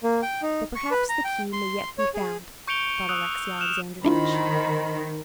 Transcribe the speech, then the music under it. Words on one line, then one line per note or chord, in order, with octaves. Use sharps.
"But perhaps the key may yet be found," thought Alexey Alexandrovitch.
A#3
G5
D#4
C#6
B4
A#5
G5
C6
C#5
G#4
C#6 G6 C#7 D7 F7 G7
D#6 E6 F#6 F7
F6 F#6 E7 F7
D#3 D4 E4 F4 C5 B5